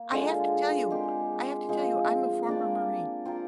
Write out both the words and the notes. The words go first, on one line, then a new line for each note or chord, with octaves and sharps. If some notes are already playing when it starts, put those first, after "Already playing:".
I have to tell you I have to tell you, I'm a former Marine.
Already playing: A#3
D3 G#3 D4 F4
G#3 C4 G4 A#4
F3 G#3 C4
A#3 D4 G4 D5
C4 F4 A#4